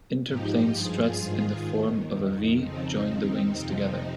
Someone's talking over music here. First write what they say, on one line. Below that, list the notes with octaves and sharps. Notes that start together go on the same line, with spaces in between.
Interplane struts in the form of a "Vee" joined the wings together.
G#2 F3 D#4 G4
G2 F3 F4 G#4
G#2 D#3
D#2 D#3
F2 D#3
F2 C#3 F3 C4 D#4
D#2 D#3
F2 C3 F3 C4 D#4